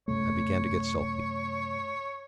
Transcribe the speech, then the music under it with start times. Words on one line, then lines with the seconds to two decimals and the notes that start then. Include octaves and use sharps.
I began to get sulky.
0.08 F#2 C3 A3 C#5